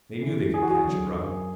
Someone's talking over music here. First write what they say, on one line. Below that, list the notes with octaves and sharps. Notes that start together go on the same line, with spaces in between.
They knew they could catch her up.
E3
E2 G#4
F#4
G#4
D3 F#3
F#2